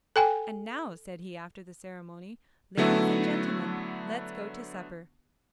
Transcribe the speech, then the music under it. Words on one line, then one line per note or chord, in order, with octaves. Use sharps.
'And now,' said he after the ceremony, 'ladies and gentlemen, let's go to supper.
A4 G5 G#5
D3 F#3 A3 B3 E4